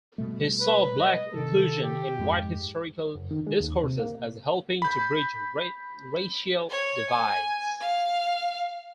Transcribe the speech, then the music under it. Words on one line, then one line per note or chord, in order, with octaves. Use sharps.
He saw black inclusion in white historical discourses as helping to bridge racial divides.
B2 G3 A3
B4
D#5
C3 D#3 A4
G4
F2 G#2 G#3
F#1
D#3
G#3
D#2
C3
A#3
B5 G6
C#5
G#5
F5